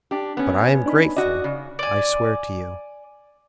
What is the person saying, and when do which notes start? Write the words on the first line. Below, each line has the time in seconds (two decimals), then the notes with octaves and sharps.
"But I am grateful, I swear to you."
0.11 D4 G4
0.37 B3 C#4
0.86 D4 D#4 B5
1.16 F#4 D5 D#5
1.44 C#3
1.79 D5 G#5